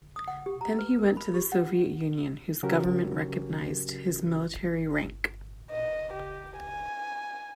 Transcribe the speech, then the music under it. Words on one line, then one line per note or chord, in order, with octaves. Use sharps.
Then he went to the Soviet Union, whose government recognized his military rank.
D#6
F#5
G4
A#5
B4
A#4
B5
G4
F#5
C#3 F#3 C#4 F#4 G4 A#4
D#5
G4
G#5